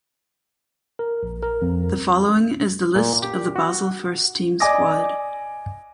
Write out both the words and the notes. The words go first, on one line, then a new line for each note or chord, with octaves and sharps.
The following is the list of the Basel first team squad.
A#4
A#1
A#4
F2
A#2
G4
F#4
D5 D#5 G#5 D6 D#6 A#6